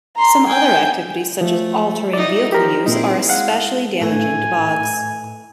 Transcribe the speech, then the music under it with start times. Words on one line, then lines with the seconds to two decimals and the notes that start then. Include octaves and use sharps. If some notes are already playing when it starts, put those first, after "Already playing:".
Some other activities, such as all-terrain vehicle use, are especially damaging to bogs.
0.17 A#5 C6
0.48 G5 G#5
1.41 F3 A3
2.13 D#4 E4 F#4 D5
2.52 F3 G4 A#4
2.86 A#2 C4 D#4 E4 G#4
3.29 G#3 F5 F#5
4.01 A2 E3 A3 G#5